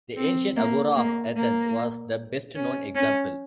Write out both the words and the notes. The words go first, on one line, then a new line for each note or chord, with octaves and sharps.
The Ancient Agora of Athens was the best-known example.
C4
A#3
A#3
A#3
C#4
C#4